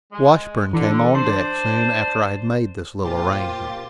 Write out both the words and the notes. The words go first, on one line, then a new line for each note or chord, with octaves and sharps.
Washburn came on deck soon after I had made this little arrangement.
G#3
D3 E3
D4 C5 C6
A#2 A#3 F4 G4 C5 A6